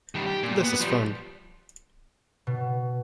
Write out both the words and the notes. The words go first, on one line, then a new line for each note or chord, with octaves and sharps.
This is fun!
D#3 G3
G4
A#2
B3
F3 G3
B2